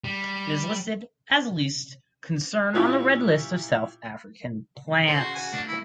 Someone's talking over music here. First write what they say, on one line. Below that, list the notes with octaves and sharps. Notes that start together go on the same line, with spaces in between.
It is listed as least concern on the Red List of South African Plants.
G3
A#2 C#4 E4 F4 G4
A4 C5 D5 C6
C#3 F#4
G#5
A3 D4 A#4
E4